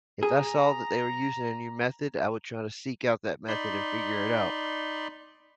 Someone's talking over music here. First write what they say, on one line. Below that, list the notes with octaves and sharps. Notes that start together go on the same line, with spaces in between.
if I saw that they were using a new method, I would try to seek out that method and figure it out,
G#4 A#5
D#4 D5 B5 C6